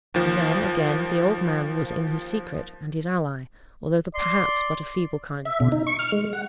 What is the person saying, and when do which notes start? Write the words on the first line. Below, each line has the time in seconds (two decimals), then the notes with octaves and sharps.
And then, again, the old man was in his secret, and his ally, although perhaps but a feeble kind of one.
0.14 D#2 F3
4.15 D5 C6
5.45 E5
5.60 B2
5.72 D#4
5.87 C#6
5.99 F6
6.12 G#3
6.33 F#5